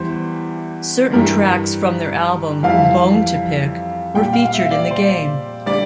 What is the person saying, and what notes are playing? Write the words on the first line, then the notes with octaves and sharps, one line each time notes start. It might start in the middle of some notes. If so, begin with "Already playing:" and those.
Certain tracks from their album, "Bone to Pick", were featured in the game.
Already playing: E2 E3 G3 C5
G2 E3 G3 A#4
F2 E3 G3 F5
A#2 G3 G5
F5
F5
E5
D5
C5
D3 G3 D5